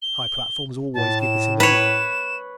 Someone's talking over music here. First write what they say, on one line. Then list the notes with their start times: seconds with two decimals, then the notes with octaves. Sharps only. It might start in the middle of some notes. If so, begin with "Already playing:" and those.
High platforms always give this illusion.
0.02 G7
0.94 A2 A5
1.21 E7
1.60 B4 C#5 E7